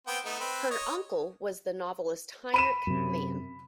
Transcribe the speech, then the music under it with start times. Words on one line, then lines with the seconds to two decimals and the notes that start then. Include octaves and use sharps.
Her uncle was the novelist Heinrich Mann.
0.07 B3 C4 G5
0.25 A3 B3 D#4
0.40 C4 B4
0.71 C#5 D#5
2.54 B5 D#7 E7
2.87 F#2 C3